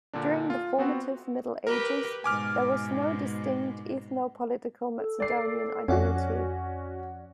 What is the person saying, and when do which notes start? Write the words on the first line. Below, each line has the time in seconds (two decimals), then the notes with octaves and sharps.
During the formative Middle Ages, there was no distinct ethno-political Macedonian identity.
0.13 A#2 D3 D4
0.50 F4
0.78 B3 C4 F#4
1.67 G4 A#4 B4
2.24 G#2 B2 G#5 D6 F6
4.97 A4
5.20 D5 C7
5.88 F2 C#4 F#4 C#5 D5 F#5